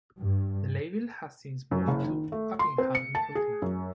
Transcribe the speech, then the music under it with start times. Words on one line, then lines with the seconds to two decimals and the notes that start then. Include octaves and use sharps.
The label has since moved to Uppingham in Rutland.
0.19 G2
1.71 F#2
1.88 F#1
2.04 D#3
2.32 A3
2.59 C6
2.78 C4
2.95 C#7
3.15 A5
3.35 G#4
3.62 F#2